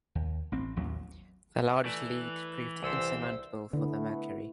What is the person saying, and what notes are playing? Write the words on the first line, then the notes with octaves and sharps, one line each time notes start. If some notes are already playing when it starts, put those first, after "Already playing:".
The large lead proved insurmountable for the Mercury.
D#2
A1 C4
A1 D#2 F#3
E3 A3 D5
C2 E4 A4 C5 E6
D3 A3 B3 E4